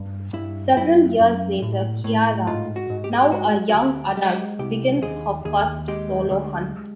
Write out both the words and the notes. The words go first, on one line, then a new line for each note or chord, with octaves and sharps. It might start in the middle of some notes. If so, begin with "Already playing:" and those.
Several years later, Kiara, now a young adult, begins her first solo hunt.
Already playing: G2
G2 E4
F#2 E4
F#2
A2
A2
G#2 F4
F#4
G#2
G4
G#4
G4
G#3 F#4
F#4
D2 G4
G#3 G4
C2 G4
D#2 G#4
D#2 G#4
G#3 G4
D2